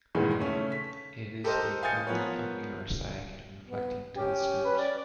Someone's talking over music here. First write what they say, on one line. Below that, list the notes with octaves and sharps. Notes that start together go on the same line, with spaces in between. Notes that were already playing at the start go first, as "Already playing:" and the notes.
It is the equivalent of mirror sag in reflecting telescopes.
E2 G2 A#2 D#3 E3 G#3
C#3 A3 C#4
B6
G4 A4 A#4 C5 D#5
F5 G#5 D#6 G6 A6 C#7
F3 B3 A#4 B4 C#5
B3
C#4 G4
B4
D5